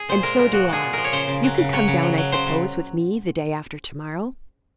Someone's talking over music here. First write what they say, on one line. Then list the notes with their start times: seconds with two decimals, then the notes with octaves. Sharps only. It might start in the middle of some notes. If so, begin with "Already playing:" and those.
"And so do I. You can come down, I suppose, with me the day after to-morrow?"
Already playing: G#4
0.09 A#2 C5
0.23 G#3 A#4
0.38 A#2 A#4
0.53 F3 F#4
0.68 G#3 G#4
0.83 A#2
0.93 F3 A#4
1.04 C#5
1.12 C#3 C5
1.27 C#3
1.43 F#3
1.58 C#3
1.73 F#3 C#5
1.88 C#3
2.03 F#3
2.18 F#3
2.32 C#3 C5
2.47 C#3